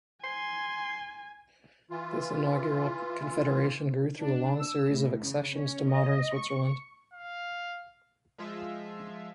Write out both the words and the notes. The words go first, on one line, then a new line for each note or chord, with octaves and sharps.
This inaugural confederation grew through a long series of accessions to modern Switzerland.
G#5 C6
E3 F4
D4
E6
A2
C#3
C#4
D#5
C#6
F5
F3 G#3 F4 E5